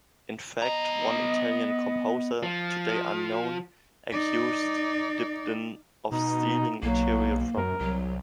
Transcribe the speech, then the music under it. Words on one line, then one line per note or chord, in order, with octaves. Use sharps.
In fact, one Italian composer, today unknown, accused Dibdin of stealing material from him.
B3 D#5 A#5
F3
D#4 D5
B2 D#4
B1 F#3 A#3
F#2 A#4
C2 F#3